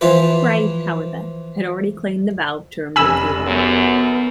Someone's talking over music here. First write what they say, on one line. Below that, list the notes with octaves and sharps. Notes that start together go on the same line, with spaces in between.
Brade, however, had already cleaned the valve to remove the oil.
E3 F3 E4 F4 B4
F1 C#4 G#5 B5 E6 E7 F#7
F#2 B3